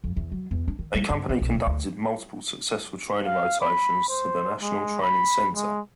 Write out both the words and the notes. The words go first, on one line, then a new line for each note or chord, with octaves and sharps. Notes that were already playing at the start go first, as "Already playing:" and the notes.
A Company conducted multiple successful training rotations to the National Training Center.
F2
E2
F#3
E2
D4
D#3
G3
G2
C#3
B1
D#2
D2
F5
B5
C5
G#3
B5
G#3